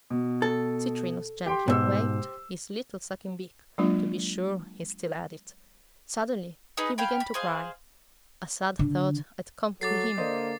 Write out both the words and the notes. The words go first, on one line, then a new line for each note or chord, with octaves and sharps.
Citrinus gently waved his little sucking-beak, to be sure he still had it. Suddenly he began to cry; a sad thought had come to him.
B2
A4
G4 G5 C6
G#2 B2 G4 C5 E6
F#3 G#3 A#3 D4 F4
D#4 G#4 B4 D#5
F5 G5 G#5 B5
B5
G#4 C5 D#5 F5
D3
F#3 A4 D6 A6 C7
D3 A#3 C5 D5 D#5